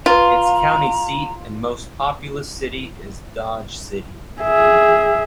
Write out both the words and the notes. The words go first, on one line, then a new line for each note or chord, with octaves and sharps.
Its county seat and most populous city is Dodge City.
F4 B4 A#5 C6
G#4 E5